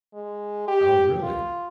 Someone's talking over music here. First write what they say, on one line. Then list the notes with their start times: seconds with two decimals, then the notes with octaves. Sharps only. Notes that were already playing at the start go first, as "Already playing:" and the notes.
Oh, really?
0.14 G#3
0.68 G4
1.23 F4